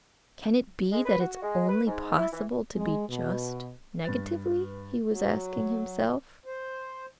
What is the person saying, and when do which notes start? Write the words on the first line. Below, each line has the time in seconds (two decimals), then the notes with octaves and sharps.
"Can it be that it's only possible to be just negatively?" he was asking himself.
0.91 G#3
1.05 B4
1.19 F#4
1.42 G#3
1.68 B4
1.86 G#2
2.16 E4
2.32 E3
2.75 G#3
3.09 B2
4.04 G2 B4 A6
5.09 F#3
6.46 C5